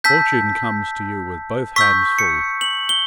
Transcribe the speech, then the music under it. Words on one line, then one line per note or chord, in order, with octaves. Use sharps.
Fortune comes to you with both hands full.
A5 E6 G6 B6
C#6 E6 G6 B6
C#7
F#7
G7